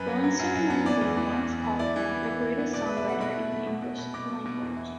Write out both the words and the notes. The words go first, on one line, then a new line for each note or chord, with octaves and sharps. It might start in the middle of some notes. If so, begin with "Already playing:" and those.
"Rolling Stone Magazine" once called him "The greatest songwriter in the English language".
Already playing: F#2 B4
F#3
F#3
F#2
F#2
B3
E3 D5
E2
E3
E2
E2
B3
E4 D5
E3
B3
B3
E4
B3
B2 D5
E4 B4
E5
A3 F#5
B2 B5
E4
A3
B2
B2
B2
B2 D6
B2
B2
E2
E4